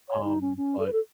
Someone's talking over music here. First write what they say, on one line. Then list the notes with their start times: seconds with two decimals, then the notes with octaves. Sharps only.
um, but
0.09 C#5
0.24 D#4
0.41 C#4
0.57 C#4
0.79 A4
0.86 B4
0.93 A4